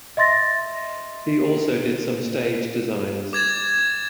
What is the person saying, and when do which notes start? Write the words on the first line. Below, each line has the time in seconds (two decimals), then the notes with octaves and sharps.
He also did some stage designs.
0.17 D#5 E5 C6 A6 A#6
3.33 D6 G#6 A6 E7